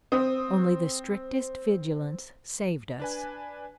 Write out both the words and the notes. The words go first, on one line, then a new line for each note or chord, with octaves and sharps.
Only the strictest vigilance saved us.
C4 D#6
D4 B4 G#5